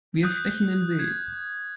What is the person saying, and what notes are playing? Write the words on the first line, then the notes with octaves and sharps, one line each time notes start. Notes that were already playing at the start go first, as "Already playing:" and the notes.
Wir stechen in See!
D#6 F#6 G6
G#6